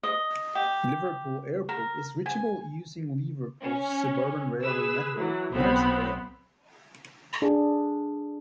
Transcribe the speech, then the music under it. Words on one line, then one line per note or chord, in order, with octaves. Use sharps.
Liverpool Airport is reachable using Liverpool's suburban railway network, Merseyrail.
D#5
G4
A#4
G#5
C#4
G#4 B4 E6
E3 F#3
B1 B3 C4 C5 B5
D4 G#4